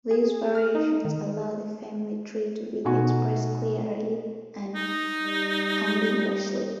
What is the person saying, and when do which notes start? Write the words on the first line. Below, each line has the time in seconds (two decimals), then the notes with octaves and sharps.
These variations allow the family tree to be expressed clearly and unambiguously.
0.11 G#4
0.55 F6
0.75 D#4
1.05 D#3
2.85 B2 A3 D#4 F#4 G#5 C#6
4.75 D#4
5.23 G3